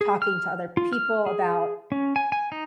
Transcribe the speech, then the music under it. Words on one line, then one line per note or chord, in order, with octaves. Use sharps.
talking to other people about
G#4
F6
F4
F6
G#4
C#4
G#5
G#5
D#4